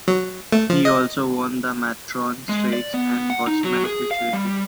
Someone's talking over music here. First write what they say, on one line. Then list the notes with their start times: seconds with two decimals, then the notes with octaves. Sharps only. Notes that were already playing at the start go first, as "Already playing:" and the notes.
He also won the Matron Stakes and Horseman Futurity.
0.08 F#3
0.52 A3
0.70 F3
0.85 D#5
2.49 G#3
2.73 D5
2.94 B3
3.30 F#5
3.47 D#4
3.64 F#3
3.85 G#4
4.11 F5
4.33 G3